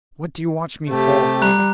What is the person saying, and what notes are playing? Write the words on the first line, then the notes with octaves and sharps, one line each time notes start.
'What do you watch me for?
C3 A3 G4
G3 A#5 F#6